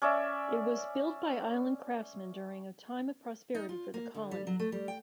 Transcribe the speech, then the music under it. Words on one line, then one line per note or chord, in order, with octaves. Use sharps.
It was built by Island craftsmen during a time of prosperity for the colony.
C#4 D5 E5
D#4
F4
A#3
D3
G3
F#3
A3
G3
G5